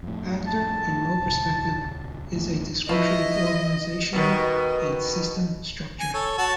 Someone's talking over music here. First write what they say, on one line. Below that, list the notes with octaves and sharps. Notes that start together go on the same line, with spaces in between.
Actor and role perspective is a description of organisational and system structure.
F2 A2
A5
D#1 C#2
E1 D#2 A2
F3 E4 B4 D#5 C#6
B2 D#3
G#5
A4 C#5
F#4 C#5 A5